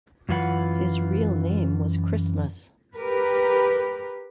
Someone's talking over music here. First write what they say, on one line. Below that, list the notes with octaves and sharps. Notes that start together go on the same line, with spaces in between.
His real name was Christmas!
F#2 E3 F4 B4 F#5
G4 A#4 B4